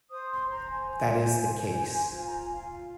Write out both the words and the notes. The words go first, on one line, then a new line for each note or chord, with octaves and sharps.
That is the case.
C5 D#6
C6
C5 A#5
G#5
C5
D#4
C5
F4
A#5
G#5
F4 F5